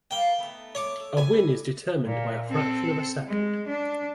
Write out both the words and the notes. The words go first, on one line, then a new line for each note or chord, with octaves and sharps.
A win is determined by a fraction of a second.
A#3 B3 F5 G5
A3 B3 D#4
C#5 D6
A4
A2 B4 D5 G#5
A#2
C4 A4
G#3
D4